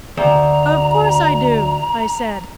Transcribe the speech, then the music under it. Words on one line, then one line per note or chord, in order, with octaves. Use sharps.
"Of course I do," I said.
D2 A#5